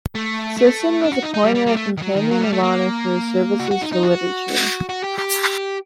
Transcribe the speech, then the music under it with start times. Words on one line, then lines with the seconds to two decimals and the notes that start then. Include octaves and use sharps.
Sisson was appointed a Companion of Honour for his services to Literature.
0.15 A3
0.58 A3
1.01 D4
1.12 F#4
1.23 D#4
1.34 D#4
1.44 G3
1.55 G3
1.67 G3
1.77 A3
1.97 D#3
2.02 F#3
2.16 D#3
2.31 F#3
2.41 G3
2.53 A3
2.63 A#3
3.60 F#4
3.71 F#4
3.82 D#4
3.92 D#4
4.03 F#4
4.89 F#4
5.04 G4
5.18 G4